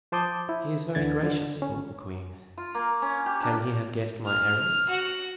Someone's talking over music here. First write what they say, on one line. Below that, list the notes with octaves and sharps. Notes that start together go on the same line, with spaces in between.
"He is very gracious," thought the queen; "can he have guessed my errand?"
F3 C5 A5 D6 D#6 G6
E4
D2 D3 G#6 A6
D3
C#4
F4
A#3
C#4
G4
D4
F6
F#4